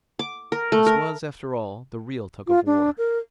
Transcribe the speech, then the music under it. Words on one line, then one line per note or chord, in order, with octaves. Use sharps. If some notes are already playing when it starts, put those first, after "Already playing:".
This was, after all, the real tug of war.
D6
A#4
A3
A#4
F4
D4
A#4